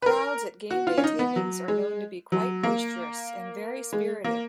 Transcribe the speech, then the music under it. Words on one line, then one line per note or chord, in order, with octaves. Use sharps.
Crowds at "GameDay" tapings are known to be quite boisterous and very spirited.
B4
A#4
F#4
F4
C#4
D#4
B3
F#3
G#3
F#3
A#3
G#3
A#3